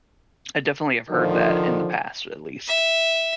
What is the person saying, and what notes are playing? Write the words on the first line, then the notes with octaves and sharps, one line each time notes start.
I definitely have heard that in the past at least.
D3 D#3 F3
E5